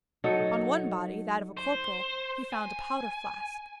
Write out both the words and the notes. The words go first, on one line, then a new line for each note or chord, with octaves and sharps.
On one body, that of a corporal, he found a powder-flask.
F#3 D#4 A4
C5
G#5